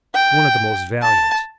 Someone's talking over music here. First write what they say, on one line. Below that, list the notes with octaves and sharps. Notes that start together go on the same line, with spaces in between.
One of the most valiant.
G5
A5